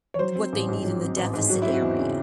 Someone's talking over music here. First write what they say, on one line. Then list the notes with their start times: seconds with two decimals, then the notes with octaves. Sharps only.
what they need in the deficit area.
0.14 C#5
0.19 F#3 C5
0.36 C4
0.53 A1
0.69 G#2
0.84 F#3
1.02 C4
1.17 A1
1.34 G#2
1.50 F#3 F#4
1.62 E4
1.67 C4
1.74 F#4
1.82 E2
1.99 C#3